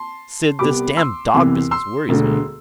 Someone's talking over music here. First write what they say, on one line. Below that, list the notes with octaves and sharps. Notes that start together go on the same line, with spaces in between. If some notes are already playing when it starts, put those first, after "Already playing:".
"Sid, this damn dog business worries me."
Already playing: A5 C6
C2 C3 G3 B3 B5 D6
C6 E6
C2 C3 E3 B3
C6 E6
E1 D2 D3